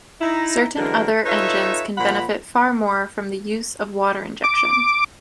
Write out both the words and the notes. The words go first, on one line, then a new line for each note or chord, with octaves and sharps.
Certain other engines can benefit far more from the use of water injection.
D#4 E4 A#5
D3 E3 F#3 G#3 A#4
D#4 F4 A4 B4 C#5 E5
A#2 F3 F#5 B5
D6